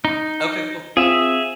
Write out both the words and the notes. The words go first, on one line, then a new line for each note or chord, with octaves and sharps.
Okay. Cool.
D#4
C4 F4 G#4 E5